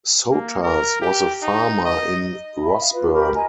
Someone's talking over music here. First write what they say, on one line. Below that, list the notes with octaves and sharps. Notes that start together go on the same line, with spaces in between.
Sotas was a farmer in Rossburn.
A#3
A#4
G4
D#4
D#5
D#5 E5 B5
F5
F4 B4
G4 A#4 B5
D#5 G#5 A#5